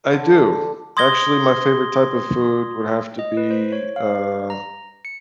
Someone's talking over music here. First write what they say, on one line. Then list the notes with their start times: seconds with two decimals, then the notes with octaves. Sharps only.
I do. Actually, my favorite type of food would have to be, uh
0.13 D3
0.97 C6 D#6 G#6 A#6 G7
3.19 D#5
3.37 B4
3.50 C5
3.72 C#5
3.96 F5
4.50 A#5
5.05 C#7